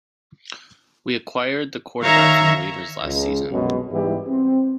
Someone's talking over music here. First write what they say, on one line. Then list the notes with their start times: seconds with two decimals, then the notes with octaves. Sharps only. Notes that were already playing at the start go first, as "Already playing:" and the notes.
We acquired the quarterback from waivers last season.
2.03 D#3 C#5 E5 F5 A#5 C#6
3.04 C#2
3.51 C2 F#2 B2 F#3 G#3 B3
3.92 G#2 E3 G3 B3 E4 G4
4.27 C4